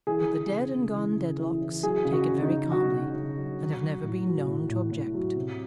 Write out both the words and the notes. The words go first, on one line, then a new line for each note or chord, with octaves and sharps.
But the dead-and-gone Dedlocks take it very calmly and have never been known to object.
E3 G#4
E3
C#3
C#3
E3
C#3
E3
E3
F#3 G#4
C#3
F#4
C#3
D#4
C#3
F#3 F#4
C#3
C#3
F#3
F#3
F#3
A2
F#3
A2
A2
A2
F#3
C3